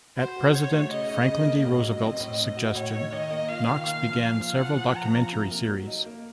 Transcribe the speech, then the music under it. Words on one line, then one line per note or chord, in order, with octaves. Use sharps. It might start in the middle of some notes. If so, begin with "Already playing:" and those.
At President Franklin D. Roosevelt's suggestion, Knox began several documentary series.
F#4 C5
F#4
F#4 C#5
A3
C#3 D#5
D#4
C#3
A#3
A2 D#5
F#3
C4
A2
D#4
F#4
A2 C#5
D#4
D#3 D#5
A#3
F4 F5
D#3
A#2 F5
F3
A#2 F5
F3
F3 F#5
F3
F4 A#5
F3
C3
A#3
F#3
D#4
A#3